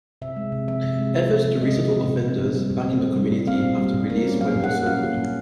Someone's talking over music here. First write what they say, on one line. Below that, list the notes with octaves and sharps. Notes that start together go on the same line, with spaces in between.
Efforts to resettle offenders back in the community after release were also good.
C3 E5
G#3
C3
F3 E5
C3
G#3
C3
F3
C3
G#3 D#5
C3
F3
A#2
C4
A#2
G3
A#2
C4
A#2
G3
A#2
C4 F5
A#2
G3
A#2
A#3
C#4
F#3 F5
A#2
F#5
A#3
C#4 F5
F#3
A#2